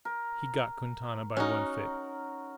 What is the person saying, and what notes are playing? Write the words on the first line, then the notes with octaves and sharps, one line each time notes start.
He got Quintana by one foot.
A#4
C#4 D#4 F#4 A#4